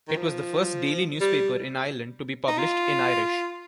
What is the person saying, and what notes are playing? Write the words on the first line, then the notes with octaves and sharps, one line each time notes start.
It was the first daily newspaper in Ireland to be published in Irish.
D#3
F3
G3
D#4
F4